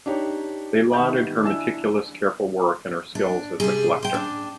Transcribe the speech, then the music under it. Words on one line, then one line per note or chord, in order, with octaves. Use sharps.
They lauded her meticulous, careful work and her skills as a collector.
D4 D#4 G4 C#5
D#3 B3 G4 E5 C#6 G6
D4 E4 G#5 E6 E7
D4
C3 G3 G#4
C5 G5
D4